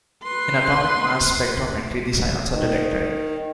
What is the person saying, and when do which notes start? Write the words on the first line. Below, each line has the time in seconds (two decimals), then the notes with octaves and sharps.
In atomic mass spectrometry, these ions are detected.
0.23 B4 C6
2.48 D#3